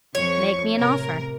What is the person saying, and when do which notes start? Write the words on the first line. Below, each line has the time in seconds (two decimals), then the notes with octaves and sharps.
"Make me an offer."
0.15 F2 C#5 C#6
0.77 A2 C3 A#4